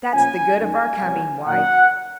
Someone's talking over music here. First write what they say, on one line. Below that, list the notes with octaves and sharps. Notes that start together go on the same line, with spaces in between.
"That's the good of our coming, wife."
A#2 F3 A#3 C#4 G#5
F#2 D#3 G#3 G#5
C2 A#2 F#3 C#4
A#2 F#3 C#4 F#5